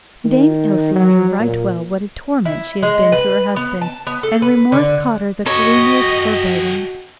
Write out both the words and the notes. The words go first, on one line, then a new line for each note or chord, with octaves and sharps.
Dame Ilse knew right well what a torment she had been to her husband, and remorse caused her the gloomiest forebodings.
D#3
F#3
A#2
E4
G#3
B4
B3
A5
B3
A4
B4
D3
F#4 G4 A4 C#5 D#5